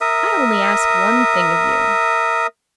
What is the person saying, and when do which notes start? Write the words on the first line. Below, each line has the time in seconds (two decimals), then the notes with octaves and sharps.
I only ask one thing of you.
0.01 A#4 E5 D#6